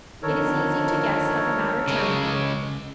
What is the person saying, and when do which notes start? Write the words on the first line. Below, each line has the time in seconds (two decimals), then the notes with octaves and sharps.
It is easy to guess how the matter terminated.
0.23 D3 D#3 F3 A4 A#4 C#5
1.88 C#3 G#3